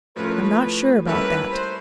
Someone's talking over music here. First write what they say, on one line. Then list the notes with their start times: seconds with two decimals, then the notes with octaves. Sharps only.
"I'm not sure about that."
0.16 A2 F3 A3 C#4 B4
0.25 A#4
0.34 B4
1.06 G3 A#3 C#4 E4 A4 B4
1.51 C5